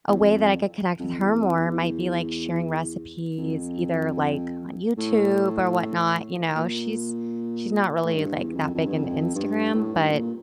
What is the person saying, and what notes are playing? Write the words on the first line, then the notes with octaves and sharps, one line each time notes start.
a way that I could connect with her more might be, like, sharing recipes either, like, on YouTube or whatnot, you know? She's she's not really, like, that big into Instagram, but
E2
F2
F2
E2
F2
E2
F2
A2
A#2
A2
G2
E2
F2
F2
G2
F2
G2
A2
G2
A#2